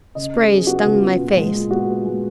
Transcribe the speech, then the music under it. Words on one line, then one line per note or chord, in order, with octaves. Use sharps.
Spray stung my face.
C#3 D#5
B3
G#4
F#3
B3 F#4
C#3
F4
B3
A#2
G#3
A#2
B3 F#4
B3
G#3